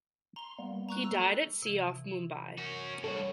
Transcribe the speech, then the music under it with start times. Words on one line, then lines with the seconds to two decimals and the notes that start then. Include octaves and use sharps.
He died at sea off Mumbai.
0.36 A#5 C6 G7
0.59 G3 A#3 B3
0.89 A#5 C#6 F#6
1.04 A#5 E6
1.19 A4
1.62 C3 E3
2.58 C#4 F#4 A#4
3.04 G2 F#4 A4 C#5